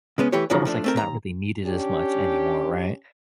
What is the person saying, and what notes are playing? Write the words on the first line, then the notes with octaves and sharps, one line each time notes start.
it's almost like it's not really needed as much anymore, right?
C#3 G#3 B3 C#4
E3 A3 G4 C#5
F2 A2 D#3 F3 F#3
F3 A3 D4
A3 C4 A#4
D#2 A#5
C#4 D4 G4